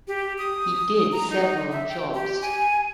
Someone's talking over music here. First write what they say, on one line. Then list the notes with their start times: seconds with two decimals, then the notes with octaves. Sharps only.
He did several jobs.
0.08 G4
0.38 D#6
1.12 A#5
1.30 D#4
1.72 E5
1.89 G5
2.13 G4
2.42 G#5